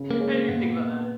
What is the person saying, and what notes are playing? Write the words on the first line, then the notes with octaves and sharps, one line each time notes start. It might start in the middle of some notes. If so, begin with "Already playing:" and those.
didn't even think about that.
Already playing: C#3
A#3
G#3 C#4
A#3
A#2 B3